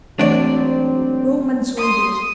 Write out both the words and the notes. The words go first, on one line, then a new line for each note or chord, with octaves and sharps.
Roman soldiers!
G#1 E3 F#3 A3 C4 D4 C5 D5
C6 D#6